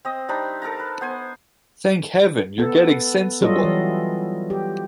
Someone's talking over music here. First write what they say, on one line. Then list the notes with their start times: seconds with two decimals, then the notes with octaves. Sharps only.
Thank Heaven, you're getting sensible!
0.05 C4 D#5
0.29 G3 C4 D4 D#4
0.62 A4 A#4 A5 A#5
0.79 B4
1.01 B3 C5 G#5
2.58 B3 A4
3.41 F#3 G3 F4 F#4 A4 D#5
3.64 E3
4.50 G4